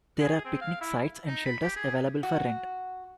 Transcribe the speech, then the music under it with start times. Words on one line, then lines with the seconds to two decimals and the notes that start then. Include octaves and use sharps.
There are picnic sites and shelters available for rent.
0.21 G#4
0.45 C4
0.61 F5
0.81 E4
1.27 D#4
1.45 B5
1.63 G4
1.76 G#4
2.23 F#4